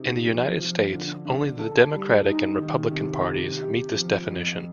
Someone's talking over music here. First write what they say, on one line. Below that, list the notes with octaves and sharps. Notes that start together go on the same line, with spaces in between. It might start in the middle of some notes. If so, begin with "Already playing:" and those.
In the United States, only the Democratic and Republican parties meet this definition.
Already playing: C3 D#4
F3
F3
D3
D3
A4
G3
D#4
D#3
C3
C3
G4
F3
F2